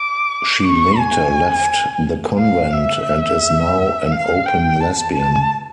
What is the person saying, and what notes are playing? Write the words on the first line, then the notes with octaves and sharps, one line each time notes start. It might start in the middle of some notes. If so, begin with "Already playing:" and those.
She later left the convent and is now an open lesbian.
Already playing: D6
C#6
G#5
F5
E5
F5
G5
A5
A5